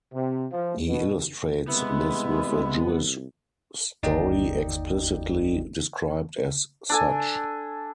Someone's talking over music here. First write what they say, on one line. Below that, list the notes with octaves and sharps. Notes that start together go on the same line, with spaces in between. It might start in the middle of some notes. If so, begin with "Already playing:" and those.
He illustrates this with a Jewish story, explicitly described as such.
C3
F3
B2
C2 G#3 B3 E4
G1 D#2 D#4 D5 D#5 G5
D4 A4 G#5